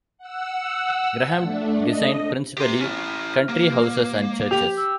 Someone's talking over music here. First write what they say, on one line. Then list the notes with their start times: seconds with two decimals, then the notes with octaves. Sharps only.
Graham designed principally country houses and churches.
0.18 F#5 E6
1.39 A3 D4
1.79 D#5
2.58 G4 C6
2.80 C#4 E4 F6
3.49 A#3
4.51 G4 F7
4.77 E6